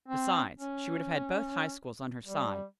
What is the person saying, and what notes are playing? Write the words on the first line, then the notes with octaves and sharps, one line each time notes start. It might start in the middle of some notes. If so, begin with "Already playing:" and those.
Besides, she would have had both High Schools on her side.
C4
C#4
G3